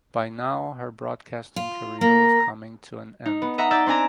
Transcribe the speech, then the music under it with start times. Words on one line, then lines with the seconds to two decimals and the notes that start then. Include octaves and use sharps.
By now her broadcasting career was coming to an end.
1.56 F4
2.01 A#3 A#5
3.25 D#4
3.42 B3
3.58 D#5 E5 F#5 A#5
3.71 D5 E5 E6 G6 A6
3.86 C4 D4 D5 G#5 A#5